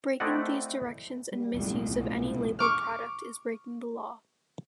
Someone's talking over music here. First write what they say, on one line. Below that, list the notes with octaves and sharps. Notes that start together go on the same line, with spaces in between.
Breaking these directions and misuse of any labeled product is breaking the law.
A3 C4 E4 D5 D#5 F#5
G3
B1 F2 A2
C2
C#6 D6 F6